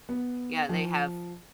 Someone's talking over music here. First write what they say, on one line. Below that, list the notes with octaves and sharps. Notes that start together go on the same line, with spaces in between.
yeah, they have
B3
F3